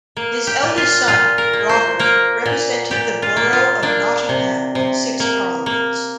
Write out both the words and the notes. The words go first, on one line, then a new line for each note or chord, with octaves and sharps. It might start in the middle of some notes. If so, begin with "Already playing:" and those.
His eldest son, Robert, represented the borough of Nottingham in six parliaments.
A#3
G4
A#2
F4
A#2 F4
A#4
A#3
C5
A#3 A#4
A#2
A#2 G4
F4
A#3
F4
A#3 D4
C3
C3
A#3
A#3